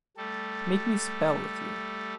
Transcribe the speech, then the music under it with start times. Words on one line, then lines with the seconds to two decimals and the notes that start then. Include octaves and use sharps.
Make me spell with you.
0.17 G3 A3 A4